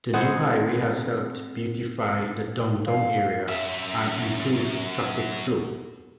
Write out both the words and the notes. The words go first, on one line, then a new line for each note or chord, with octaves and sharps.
The new highway has helped beautify the downtown area and improve traffic flow.
G#3 B3 C4 D#4 F#4 G#4
F5
F#2 E5